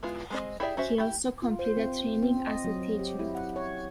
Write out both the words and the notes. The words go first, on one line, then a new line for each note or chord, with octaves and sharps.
He also completed training as a teacher.
G#3 B3 E4 F4
G#3 C4 D#5
E4 G4 G#4 D5 E5
C#4 F#4 C5 E5
E4 G4
F4
C5
C4
C4
D#5
F#3
G4
E4
F#5
C#5